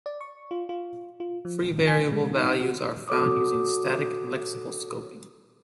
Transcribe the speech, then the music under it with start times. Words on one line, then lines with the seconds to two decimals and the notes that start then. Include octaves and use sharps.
Free variable values are found using static lexical scoping.
0.06 D5
0.21 C#6
0.51 F4
0.69 F4
1.20 F4
1.45 F3
1.87 G#5
2.12 G#3
2.36 D#4
2.61 F#4
3.08 F#4 A4 C#5 D6 D#6